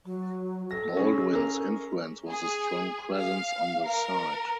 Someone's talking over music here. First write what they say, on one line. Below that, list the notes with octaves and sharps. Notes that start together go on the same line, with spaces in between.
Baldwin's influence was a strong presence on the site.
F#3
A4 A#6
C#4 G#4
A#4
G#4
F5
A#4